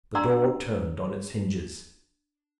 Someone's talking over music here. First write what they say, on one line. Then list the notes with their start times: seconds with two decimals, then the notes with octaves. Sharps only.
The door turned on its hinges.
0.15 D4 D5 F#5 A#5 C6 E6